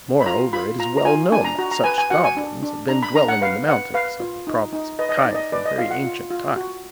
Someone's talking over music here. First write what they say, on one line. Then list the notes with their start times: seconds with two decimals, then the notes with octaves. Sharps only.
Moreover, it is well known that such goblins have been dwelling in the mountains of the province of Kai from very ancient time...
0.21 B5
0.26 F4 A#5
0.53 F4 B5
0.79 F4 A#5
0.97 A#5
1.05 F4 G#5
1.32 D4 G#5
1.44 A#5
1.58 F#4 A#5
1.71 A#5
1.84 B4 G#5
1.98 G#5
2.10 F#4 F#5
2.24 G#5
2.37 D4
2.62 D4
2.89 D4 A#5
3.03 B5
3.15 D4 A#5
3.28 F#5
3.41 B4 F5
3.68 B4 F#5
3.94 B4 F5
4.20 F4
4.47 D#4
4.73 D#4
4.99 B4 D#5
5.09 D#5
5.17 D5
5.25 D#4
5.35 D#5
5.52 B4 D5
5.65 D#5
5.78 F4 F5
5.91 F#5
6.04 F4
6.31 F4
6.56 F#4